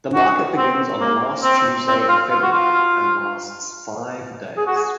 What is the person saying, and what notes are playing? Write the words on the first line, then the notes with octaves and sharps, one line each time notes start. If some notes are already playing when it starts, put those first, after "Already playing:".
The market begins on the last Tuesday in February and lasts five days.
F#4
C4
A#3
C4
C4
F4
F4
F#4
F4
G#4
F#4
G#4